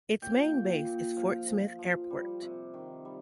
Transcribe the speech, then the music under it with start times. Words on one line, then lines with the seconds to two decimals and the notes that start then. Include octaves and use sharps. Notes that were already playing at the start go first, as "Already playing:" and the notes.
Its main base is Fort Smith Airport.
0.22 A#2 G5
0.54 A#2
0.85 A#2
1.16 F3 F5
1.47 F3
1.79 F3
2.10 G3
2.42 C3
2.74 D#3
3.05 G3